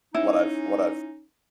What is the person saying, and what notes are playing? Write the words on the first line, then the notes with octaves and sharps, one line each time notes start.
what I've what I've
C#4 D#4 E4